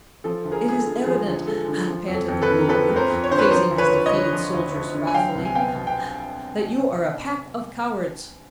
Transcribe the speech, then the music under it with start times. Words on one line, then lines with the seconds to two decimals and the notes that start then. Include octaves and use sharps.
"It is evident," panted the Boolooroo, facing his defeated soldiers wrathfully, "that you are a pack of cowards!"
0.24 F3 A4
0.44 D2
0.52 G#4 A#4
0.65 G#3 G#4
0.79 A4
0.86 D3
1.06 F3 G#4
1.27 D2
1.47 G#3 A4
1.68 D3
1.88 F3
2.08 F2
2.14 A4
2.28 F2
2.42 A4 B4
2.49 D3
2.59 A#4
2.69 F3 A4 B4
2.90 F2
2.96 A#4 C5
3.10 F2
3.24 C#5
3.31 D3 C5
3.39 B4 C#5
3.51 F3 A#4 C5
3.71 D2
3.78 B4 C#5
3.92 D2
4.06 C#5 D#5
4.12 D3
4.33 F3
4.53 D2
4.74 D2
4.94 D3
5.07 G#5
5.14 F#3 F5 G5
5.35 C2
5.45 G#5
5.55 B3 F5 G5
5.75 B2
5.87 G5